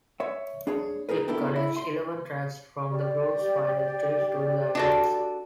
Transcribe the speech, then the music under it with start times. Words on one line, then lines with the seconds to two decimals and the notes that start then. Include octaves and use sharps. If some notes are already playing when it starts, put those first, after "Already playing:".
It collects eleven tracks from the group's final three studio albums.
0.20 C#5 E5
0.67 D4 G#4 C#5
1.09 D#4 G#4 A#4 B4
1.28 B3 D4 E4 G4 A4 A#4
1.56 E4
1.77 C6
2.91 G4 D5
4.75 D4 F#4 A4